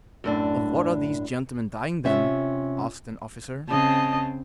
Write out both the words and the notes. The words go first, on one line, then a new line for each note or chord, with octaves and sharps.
"Of what are these gentlemen dying, then?" asked an officer.
F#2 A2 D4
C3 C#4 F4 E5
C#3 C4 D#5 A5